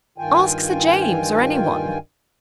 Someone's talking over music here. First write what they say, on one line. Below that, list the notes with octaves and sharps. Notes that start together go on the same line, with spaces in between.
Ask Sir James or anyone.
G2 D#3 F4 G5 G#5